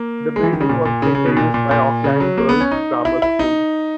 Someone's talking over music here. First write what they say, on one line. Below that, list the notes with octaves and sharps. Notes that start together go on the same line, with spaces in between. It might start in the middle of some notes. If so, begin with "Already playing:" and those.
The building was later used by Auckland Girls' Grammar School.
Already playing: A#3
G#3
E3
D#3
C#3
A#2
A#2
C#3
C#3
B2
A#2
A#2
A#2
C#3
F#3
A#3
B3
C#4
D#4
E4
E4
D#4